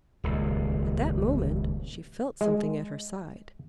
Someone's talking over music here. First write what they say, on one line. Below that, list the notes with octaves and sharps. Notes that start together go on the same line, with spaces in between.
At that moment she felt something at her side.
D#1 C#2
G#3